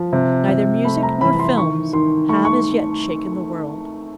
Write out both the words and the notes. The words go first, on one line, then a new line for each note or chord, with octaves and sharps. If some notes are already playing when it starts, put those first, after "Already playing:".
Neither music nor films have as yet shaken the world.
Already playing: F3
C3
C3
A3 B5
A#5
E3 B5
C6
D#3 C#6
D#3 C6
A3 C#6
C#6